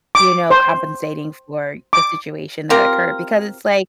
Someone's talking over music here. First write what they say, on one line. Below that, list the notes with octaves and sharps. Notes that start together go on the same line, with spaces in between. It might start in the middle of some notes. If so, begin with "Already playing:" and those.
you know, compensating for the situation that occurred, because it's, like
D6
C5
D6
C4 F4 G4 A#4